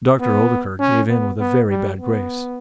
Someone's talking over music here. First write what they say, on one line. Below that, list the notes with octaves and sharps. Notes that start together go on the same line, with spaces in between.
Dr. Oldacre gave in with a very bad grace.
B3
C#4
B3
B3
G3
B3